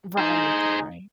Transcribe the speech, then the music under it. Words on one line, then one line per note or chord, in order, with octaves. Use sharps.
Right, right.
D#4 G#4 C5